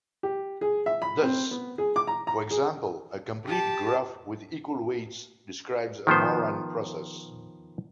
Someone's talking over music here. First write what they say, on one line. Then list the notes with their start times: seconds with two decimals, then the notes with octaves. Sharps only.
Thus, for example, a complete graph with equal weights describes a Moran process.
0.23 G4
0.61 G#4
0.86 E5
1.02 B5
1.22 C4
1.51 B3
1.78 G#4
1.96 D6
2.07 A#5
2.27 A#5
2.51 G#4
3.45 G4 A5
6.07 D#3 F3 B3 C5